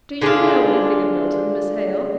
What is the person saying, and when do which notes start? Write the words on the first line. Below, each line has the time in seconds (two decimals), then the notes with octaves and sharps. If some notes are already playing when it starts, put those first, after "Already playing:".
'Do you know anything of Milton, Miss Hale?
0.21 D3 G#3 D4 F4